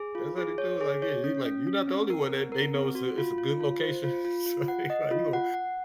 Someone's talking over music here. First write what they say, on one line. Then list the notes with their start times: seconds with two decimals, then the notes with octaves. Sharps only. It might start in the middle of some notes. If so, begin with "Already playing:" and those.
That's how they do it, like, yeah, you like, "You not the only one that they know" it's a it's a good location. So they like "we gonna,
Already playing: G#4
0.15 F4
0.38 G#4
0.58 C#5
0.81 G#4
1.02 C#5
1.24 C#4
1.45 C#4
1.67 C#4
1.88 C4
2.10 A#4
2.31 C4
2.52 A#4
2.74 C4
2.95 F#4
3.18 F4
3.38 F4
3.61 F4
3.82 C5
4.04 F4
4.25 F4
4.46 F4
4.68 F#5
4.90 D#5
5.11 F4
5.33 F#5
5.54 F#5